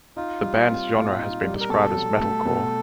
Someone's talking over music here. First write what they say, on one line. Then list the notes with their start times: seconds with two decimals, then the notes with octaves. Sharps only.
The band's genre has been described as metalcore.
0.17 D#4 F4
0.42 G3
0.67 C4
0.93 A#2
1.19 D#4
1.44 G3
1.60 A#4
1.69 B2 A4
1.94 F#3
2.20 A3
2.45 B2